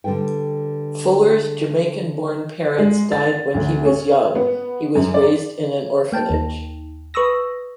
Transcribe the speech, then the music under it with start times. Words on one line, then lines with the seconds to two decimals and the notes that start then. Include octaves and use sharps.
Fuller's Jamaican-born parents died when he was young; he was raised in an orphanage.
0.04 D3 G3 A4 B4 G5
2.78 G#3
3.12 A6
3.54 D2
3.85 C#4
4.35 B3
4.95 F#2
5.14 D5
6.12 A#3 G5 A5
6.30 D#2 D#4
7.14 B4 C#6 D#6 E6 A#6